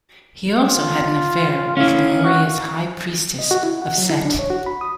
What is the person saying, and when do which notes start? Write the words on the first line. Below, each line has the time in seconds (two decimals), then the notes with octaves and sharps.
He also had an affair with Lemuria's High Priestess of Set.
0.67 F4
1.77 C#4 E4 F5
2.24 F#4
3.39 D#5
3.51 F#4
3.63 E4
3.82 F#5
3.98 F#3
4.09 E4
4.25 D4
4.39 C#5
4.50 F#4
4.66 B5
4.81 D#6